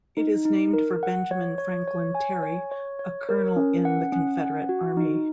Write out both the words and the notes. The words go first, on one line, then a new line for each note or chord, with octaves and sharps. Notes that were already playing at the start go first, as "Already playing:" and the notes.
It is named for Benjamin Franklin Terry, a colonel in the Confederate Army.
D#4
D#4
A#4
F#5
C#5
C#5
C#5
G#5
C#5
C#5
C#5
A#4
C#4
F#5
C#4
F#5
F#4
D#4